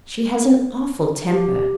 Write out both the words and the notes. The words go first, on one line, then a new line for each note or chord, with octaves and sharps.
'She has an awful temper.'
G4